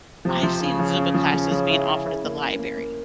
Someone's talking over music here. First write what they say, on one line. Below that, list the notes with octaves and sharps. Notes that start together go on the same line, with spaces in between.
I've seen Zumba classes being offered at the library.
C3 F3
F3
C#3 C#4
F3
C#4
F3
F3
F3
E4
E4
E4
A#3
C#4
A#3
A#3